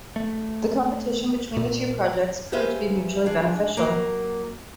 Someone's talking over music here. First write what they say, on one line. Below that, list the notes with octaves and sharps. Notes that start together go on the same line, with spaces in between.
The competition between the two projects proved to be mutually beneficial.
A3
A#2
G4 G#4 B4 C5 E5 F5
D4 G#4
F#3 A#3